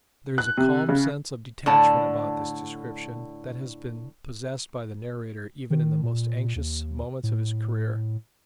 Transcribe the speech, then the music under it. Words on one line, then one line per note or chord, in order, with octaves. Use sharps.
There is a calm sense of detachment about this description that has been possessed by the narrator even in the most anxious moments of his career.
F#6
C3
C#3
A2 D3 A5
D#3
A#2
D#2
A2